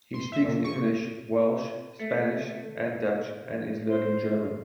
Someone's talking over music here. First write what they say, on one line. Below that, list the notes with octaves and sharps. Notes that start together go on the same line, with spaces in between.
He speaks English, Welsh, Spanish and Dutch and is learning German.
C6
E5
A#2
C#6
A3
C5